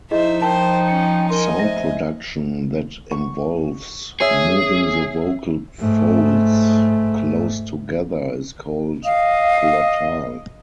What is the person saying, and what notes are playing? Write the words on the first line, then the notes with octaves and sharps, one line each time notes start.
Sound production that involves moving the vocal folds close together is called "glottal".
F3 D#4 E4 G#4 C5 D#5 E5
A#4 C5 G5 A5
C#4 C#7
A#4 D#5 G#5 C6 G7
C5 E5 A#6
C#6
G#4 C#5 E5
G#2 A3
D#5 F5